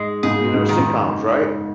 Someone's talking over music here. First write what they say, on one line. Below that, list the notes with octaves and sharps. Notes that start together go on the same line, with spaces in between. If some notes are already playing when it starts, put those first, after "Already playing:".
You know, sitcoms, right?
Already playing: G#2 G#3
G#2 C#3 G#4
G#2 C#3
D#3
C#3